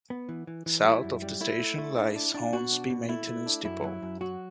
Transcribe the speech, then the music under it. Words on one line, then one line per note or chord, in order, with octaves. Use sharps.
South of the station lies Hornsby Maintenance Depot.
B3
E3
E3
E3
G3 E4
F#2
G3
A3 E4
A3
A3
D4
D4
D4
B2 F#4
D4
B2
A3 E4
A3
D4
F#2 E4
F#3
F#2
F#3 F#4